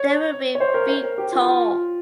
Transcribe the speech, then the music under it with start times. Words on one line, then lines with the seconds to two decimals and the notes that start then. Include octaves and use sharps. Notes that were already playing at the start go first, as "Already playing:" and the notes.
They will be feet tall.
Already playing: C#5
0.55 C#5
0.60 C5
0.74 A#4
0.89 C5
1.03 A#4
1.18 G4
1.32 F4
1.47 F4